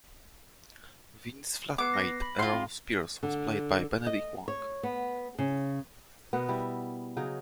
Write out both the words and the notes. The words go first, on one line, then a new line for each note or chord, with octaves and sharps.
Vince's flatmate Errol Spears was played by Benedict Wong.
B3 B4 D6 C7
A#6
B5
F4 C6
C4
D3
D#5
C#5
B3
C#3
B2 B3 A#4
G3 E4
C#3 F#3 D#4